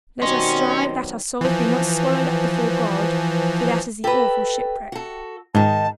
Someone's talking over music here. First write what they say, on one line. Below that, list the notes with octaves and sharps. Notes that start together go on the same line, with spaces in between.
Let us strive that our souls be not swallowed up before God, for that is the awful shipwreck.
B2 D#3 F#3 G3 C4 C#4 D#5 C6
E3 F3
G4 A4 B4 E5 A#5
F#4 A4
G#2 D#3 D#4 A5